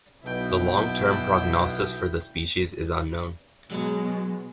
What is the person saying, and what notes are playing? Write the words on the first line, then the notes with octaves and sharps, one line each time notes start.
The long-term prognosis for the species is unknown.
B1 B2 E4 G5
B2 F#3 G#3